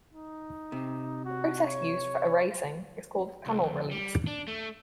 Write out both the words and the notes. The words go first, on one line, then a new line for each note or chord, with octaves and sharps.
The process used for erasing is called tunnel release.
D#4
C3
F#4
C#5
C2
F2
G3
D4
A3